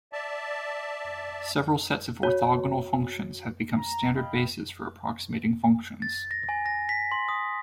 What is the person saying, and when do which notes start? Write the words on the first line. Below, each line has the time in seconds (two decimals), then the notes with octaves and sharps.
Several sets of orthogonal functions have become standard bases for approximating functions.
0.13 D5 E5 A5
2.23 F#4 C#5
3.76 A#5
4.14 D#5 F5 G5 B5
6.02 A6
6.31 A#6
6.49 G#5
6.66 A#6
6.89 B6
7.12 C6
7.28 D#6